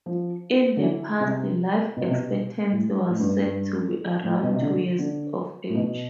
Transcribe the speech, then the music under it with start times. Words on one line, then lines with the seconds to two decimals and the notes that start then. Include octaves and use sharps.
In the past, life expectancy was said to be around two years of age.
0.06 F3
0.77 D3
0.82 E3
1.20 C3
1.97 B2
2.04 C3
2.11 B2
2.72 A2
3.09 A2
3.20 G2
3.39 G2
4.24 A2
4.43 B2
4.53 C3
4.62 D3
4.99 D3
5.69 A2
5.75 B2